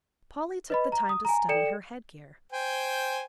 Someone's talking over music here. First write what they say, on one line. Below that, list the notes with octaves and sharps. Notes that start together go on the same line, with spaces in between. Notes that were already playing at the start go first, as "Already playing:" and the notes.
Polly took the time to study her headgear.
B4 D#5 B5
A#5
D#6
G#5 A#5
A4 D5 G5 C#7 E7
C5 G5 G#5